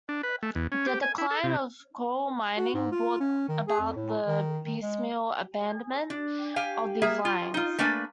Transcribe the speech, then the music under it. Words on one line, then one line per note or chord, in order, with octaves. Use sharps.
The decline of coal mining brought about the piecemeal abandonment of these lines.
D4
B4
A3
E2
C#4
G4
G#5
E4
A4
C3
F#4
G#2
F4
C#4
D#3
G#4
F2
A2
D#3
D#3
G#3
D4
G4 F5 G#5
A#3 G#4 E5
F4
D#4 F4
A3 A#3 D4 B4 G#5